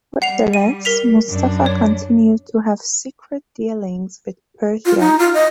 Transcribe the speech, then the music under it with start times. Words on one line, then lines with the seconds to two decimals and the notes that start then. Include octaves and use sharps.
Nevertheless, Mustafa continued to have secret dealings with Persia.
0.22 G3 F#5 C7 F7
0.53 D#7
0.85 A#4 B6 F7
1.28 F#2 D4
1.66 C#5
4.86 F4
5.00 D#4
5.19 F4
5.34 D#5